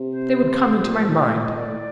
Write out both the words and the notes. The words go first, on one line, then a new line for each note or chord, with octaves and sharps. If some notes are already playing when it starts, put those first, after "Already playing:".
They would come into my mind.
Already playing: C3
C5
A#2
A#2
A2
D#5
A#2 D5
A2